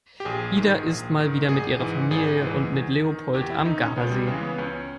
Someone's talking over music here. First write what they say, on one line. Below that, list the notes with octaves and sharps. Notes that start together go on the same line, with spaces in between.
Ida ist mal wieder mit ihrer Familie und mit Leopold am Gardasee.
G4
A#1 G#4
G#2 D#3
A#1
G#2 D#3
G#1 G#4
G#2 E3
G#1 G#4
G#2 E3
E2
D#3
E2 G4
E4
D#3 D#4
C#4
C#2 B3
G#3
G3
C#3 E3 G#3
B3
B3
C#2 C#4